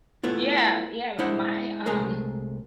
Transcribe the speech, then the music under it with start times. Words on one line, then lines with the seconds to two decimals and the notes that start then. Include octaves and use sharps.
Yeah, yeah, my, um
0.23 A3 B3 E4 F4
1.19 G#3 D4 E4 C5 F#5
1.86 C2 G#3 A3 G#4 A#4 A#5